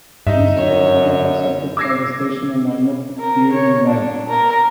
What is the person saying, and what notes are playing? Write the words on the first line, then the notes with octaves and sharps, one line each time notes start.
These claims are not accepted by the station and are not peer reviewed.
G2 D#4 D#5 E5
F#2 C#5
D6 E6 G#6 A#6 C7
A#4
C#5
D4
A#4